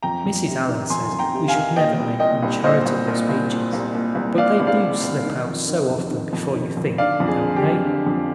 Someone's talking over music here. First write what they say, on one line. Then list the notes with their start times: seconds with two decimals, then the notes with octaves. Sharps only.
Mrs. Allan says we should never make uncharitable speeches; but they do slip out so often before you think, don't they?
0.03 F2 G5 A#5
0.25 F2
0.47 C3
0.68 D#3
0.90 F2 G#5 C6
1.11 F2
1.19 G5 A#5
1.34 C3
1.48 F5 G#5
1.55 D#3
1.76 A#2 D#5 G5
1.98 C2
2.20 A#2 D#5 G5
2.43 C2
2.64 A#2 C5 D#5
2.86 C2
3.07 A#2
3.29 C2
3.51 A#2
3.73 C2
3.95 A#2
4.15 C2
4.37 A#2 D5 F5
4.60 C2
4.67 D5 F5
4.80 A#2
5.03 C2
5.24 D#3
5.46 F2
5.68 D#3
5.90 F2
6.11 D#3
6.33 F2
6.54 D#3
6.77 F2
6.98 D3 D5 F5
7.20 F2
7.28 G#4
7.41 D3
7.56 G4
7.63 F2
7.84 D3
8.06 F2